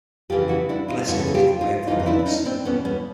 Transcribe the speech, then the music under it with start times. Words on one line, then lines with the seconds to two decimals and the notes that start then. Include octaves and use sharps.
Blessed be the way of the Lords.
0.30 F2 C#3 E3 F4 G4
0.49 E4 F#4
0.69 D4 E4
0.88 D#4 F4
1.08 F2 C#3 E3 E4 F#4
1.19 A4
1.27 G#4
1.34 F4 G4
1.61 D#4 F4
1.87 F2 C#3 E3 D#4 F4
2.00 D#4
2.06 D4 E4
2.19 D4
2.26 C#4 D#4
2.45 C4 D4
2.65 E2 B2 B3 C#4
2.85 B3 C#4